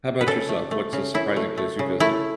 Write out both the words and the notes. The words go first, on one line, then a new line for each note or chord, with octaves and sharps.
How about yourself- what's a surprising place you visited?
B4
C#3 A4
A3
A3
C#3
C#3 E4
A3
A3
C#3
A3 E4